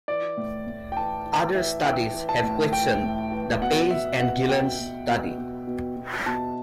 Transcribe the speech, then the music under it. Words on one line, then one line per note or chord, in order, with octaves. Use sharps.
Other studies have questioned the Page and Gilens study.
E3 D5
A2
A2
G5
E3 A5
E3
E3 E5
E3 G5
E3
A5
A2
E3 G5
A2
E3
B2 F#5
B2 E5
B2 F#5
B2 G5
B2
B2
B2
B2
B2
B2 A5